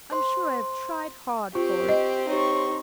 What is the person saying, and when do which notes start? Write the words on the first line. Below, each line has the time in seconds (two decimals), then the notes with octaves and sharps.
I'm sure I have tried hard for it.'
0.11 C5 C6
1.55 C4 F4 G4 C#6
1.89 D#5
2.29 D#4 G4 C#5 C#6